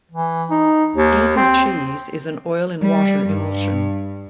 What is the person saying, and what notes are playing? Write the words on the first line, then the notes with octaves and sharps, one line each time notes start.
Easy Cheese is an oil-in-water emulsion.
E3
D#4
D#2
C4
G3
G2